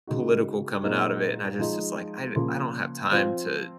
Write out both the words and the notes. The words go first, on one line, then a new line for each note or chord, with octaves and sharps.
political coming out of it, and I just it's like, I I don't have time to
C#3 G#3 D#4 F#4
A#2 G#3 C4 D#4
F3 G#3 D#4
C#3 F3 A#3
F3 C4 F4